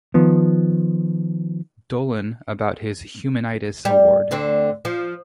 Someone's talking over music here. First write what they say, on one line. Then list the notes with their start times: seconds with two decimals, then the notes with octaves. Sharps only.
Dolan about his "Human-itis" award.
0.14 D#3 F3 B3
3.85 G3
4.31 D2 D3 C4
4.85 F3